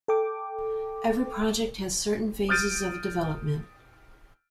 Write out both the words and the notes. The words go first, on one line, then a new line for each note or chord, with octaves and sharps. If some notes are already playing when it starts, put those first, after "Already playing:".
Every project has certain phases of development.
A4 G5 D6
D#6 F6 G6 A6 D7 D#7